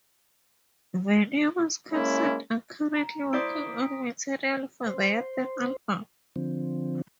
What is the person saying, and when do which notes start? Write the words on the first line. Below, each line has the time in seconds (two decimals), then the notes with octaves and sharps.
Venomous Concept are currently working on material for their third album.
1.92 G#3 A#3 C#4 E4
2.96 A#5
3.33 E4 C5 D5 D#6 B6 D7
4.87 C5
6.36 D3 F3 C4